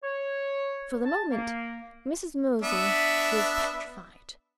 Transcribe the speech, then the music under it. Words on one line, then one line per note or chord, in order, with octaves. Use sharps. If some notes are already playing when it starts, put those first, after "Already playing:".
For the moment, Mrs. Mosey was petrified.
C#5
A5
A#3
B3 D4 E5